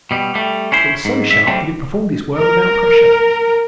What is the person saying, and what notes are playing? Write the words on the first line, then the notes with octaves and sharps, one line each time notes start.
It was so sharp that it performed its work without pressure.
B2 G3
G3 A3
C#4 E4 C5
G#2
G#2 E5
F#3 G3 A3 C4 D4
A#4